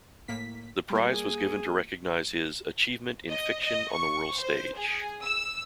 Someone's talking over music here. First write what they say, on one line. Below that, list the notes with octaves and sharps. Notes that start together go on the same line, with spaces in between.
The prize was given to recognise his "achievement in fiction on the world stage".
A2 A#3 B6
G3 A#3
G#4
D#5
D#5
C#6
C5
G#4
E6